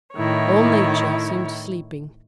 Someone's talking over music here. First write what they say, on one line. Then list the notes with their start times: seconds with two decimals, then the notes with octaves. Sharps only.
All nature seemed sleeping.
0.16 A2 D#3 E4 C#5